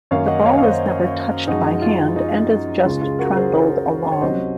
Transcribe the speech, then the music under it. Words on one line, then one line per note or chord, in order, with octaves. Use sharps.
The ball is never touched by hand and is just trundled along.
F#2 D#3 A#3 C#4 C#5 F5
D#5 F#5
D#5
C#5 F5
F5
C5 D#5
F#2 F3 G#3 D#4 F#4
F4
D#4
C#2 C#3 G#3 F4
F4 G#4
F#4 A#4
G#4 C5
A#4 C#5
C#5
C2 C3 F#3 C#4 C5 D#5